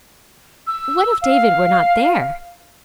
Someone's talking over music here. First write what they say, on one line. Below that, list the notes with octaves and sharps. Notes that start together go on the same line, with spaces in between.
What if David were not there!
E6
F5